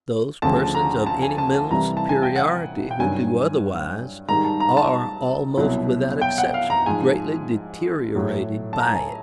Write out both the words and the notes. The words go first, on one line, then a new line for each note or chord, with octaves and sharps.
Those persons of any mental superiority who do otherwise, are, almost without exception, greatly deteriorated by it.
D2 C#3 F3 A5
A#5
A5
G#5
A5
A5
C2 C3 E3 G3 A#5
A5
G#5
G5
F#5
G5
G2 D#3 F#3 G#5
G#2 D#3 G3 A#5
A5
A#5
A5
C2 B2 F#3
G5
F#5
F5
A#5
G#2 F3 G#5
A2 F#3
A5
A#5
G#5